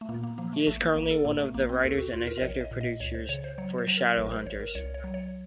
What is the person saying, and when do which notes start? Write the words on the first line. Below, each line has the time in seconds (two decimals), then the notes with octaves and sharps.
He is currently one of the writers and executive producers for Shadowhunters.
0.01 A3
0.09 A#2 A#3
0.23 A#3
0.38 F3 A#3
0.53 A3
0.67 A1 A3
0.82 A#3
0.96 A1 A#3
1.10 A4
1.25 A2 A#3
1.40 A3
1.54 A#1 A#3
1.69 C4
1.84 D#2 A4
1.98 F#4
2.13 D#2 F4
2.27 A#4
2.38 D#5
2.42 A#1 C#5
2.61 D#5
2.71 A#2
2.81 D#5
3.00 C#2 C#5
3.14 C5
3.29 C#3 C#5
3.44 C5
3.58 F#3 C#5
3.78 C5
3.88 F#3
3.97 A#4
4.17 A1 A#4
4.31 C5
4.45 A1 C#5
4.60 A#4
4.75 C2 C#5
4.94 C#5
5.04 F#3
5.14 C#5